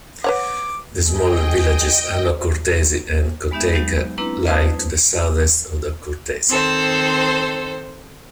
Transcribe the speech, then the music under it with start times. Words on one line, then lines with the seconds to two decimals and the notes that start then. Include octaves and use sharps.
The smaller villages Ano Kourtesi and Kotteika lie to the southeast of Kourtesi.
0.24 B4 C#5 F#5 D6
1.08 G#4 D#5 G5
3.51 G#3 B3 D#4 G4 E5
3.74 F#3 D#4 G4
4.18 A#3 C4 D4 E4 B4 A#5
4.47 B4 C5 A5 D#6 G#6
6.49 D#3 C4 A4 C5